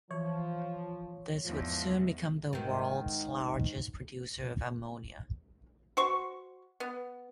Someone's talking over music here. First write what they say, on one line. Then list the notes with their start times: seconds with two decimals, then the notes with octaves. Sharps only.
This would soon become the world's largest producer of ammonia.
0.11 E3 F3 C#5
1.44 E2 G#2 F3
2.53 G#2 D#3
5.97 F#4 C5 C#6
6.80 B3